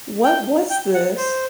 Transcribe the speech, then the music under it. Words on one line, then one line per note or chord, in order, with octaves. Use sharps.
What was this?
G5
G5
F#5
C5